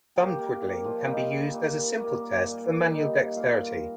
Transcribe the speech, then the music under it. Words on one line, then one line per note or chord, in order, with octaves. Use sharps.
Thumb twiddling can be used as a simple test for manual dexterity!?
A#3 G4 G5
A#3 A#4
A#2
F3 F4
G3 D#4
A#2
A#3
A#2
G3 D#4
D#4
A#2 F4 F5
A#4 A#5